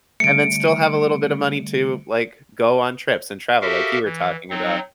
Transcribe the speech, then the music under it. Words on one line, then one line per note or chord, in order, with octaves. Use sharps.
and then still have a little bit of money to, like, go on trips and travel like you were talking about,
D3 G3 A3 C#7 D7
F#4 G4 A4 A#4 E5 F5
E3
F#3 C4 D#4